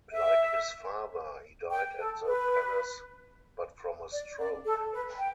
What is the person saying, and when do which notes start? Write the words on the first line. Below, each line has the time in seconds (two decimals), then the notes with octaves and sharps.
Like his father, he died at the palace-but from a stroke.
0.11 E5
1.71 G5
1.98 A4
2.25 B4
4.11 D5
4.39 D5
4.65 A4
4.91 B4
5.18 G5